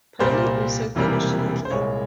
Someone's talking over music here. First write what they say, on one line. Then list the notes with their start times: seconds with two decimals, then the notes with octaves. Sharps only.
Purley also finished in Italy.
0.19 C2 A#2 G3 A#3 C5
0.95 E1 E2 C3 G3 A#3
1.65 C5
1.71 C2 A#2 G#3 C#5